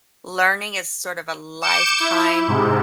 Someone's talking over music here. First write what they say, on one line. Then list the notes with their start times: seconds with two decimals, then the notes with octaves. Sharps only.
learning is sort of a lifetime,
1.62 D6 G6 C#7 E7
2.00 E4
2.48 G#2 C3